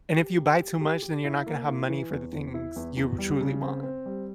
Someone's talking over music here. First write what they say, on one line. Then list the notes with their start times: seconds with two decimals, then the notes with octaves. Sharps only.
and if you buy too much, then you're not gonna have money for the things you truly want.
0.16 G4
0.38 G4
0.59 G4
0.81 G4
1.02 G4
1.24 E4
1.46 A#3
1.68 E4
1.89 E3
2.10 E2
2.33 E2
2.54 E4
2.76 E2
2.97 E2
3.18 G3
3.41 C#3
3.62 C4
3.83 C4
4.06 G3